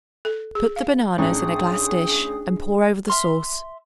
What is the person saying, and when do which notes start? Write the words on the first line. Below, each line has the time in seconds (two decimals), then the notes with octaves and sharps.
Put the bananas in a glass dish and pour over the sauce.
0.25 A4
0.55 G#4
0.76 F5
1.18 A1 D4 D#4 G#4 D#6
3.08 E5 C6 F6